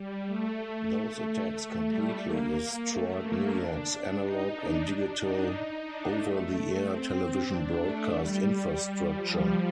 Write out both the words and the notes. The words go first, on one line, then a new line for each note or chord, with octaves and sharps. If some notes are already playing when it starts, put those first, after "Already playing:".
Those attacks completely destroyed New York's analog and digital over-the-air television broadcast infrastructure.
Already playing: G3
A3
A3
G3
A#3
A3
A#3
D4
D#4
D4
D#4
D#4
D4
A3
C4
D4
A3
G3
F3